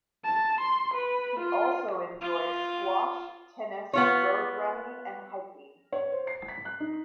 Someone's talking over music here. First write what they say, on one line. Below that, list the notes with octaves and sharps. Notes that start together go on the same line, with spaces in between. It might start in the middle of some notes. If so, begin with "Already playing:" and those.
He also enjoys squash, tennis, road running and hiking.
A5
C6
B4
F4
F4
B3 F4 C#5
C#5
C5
C7
B6
F#6
D#4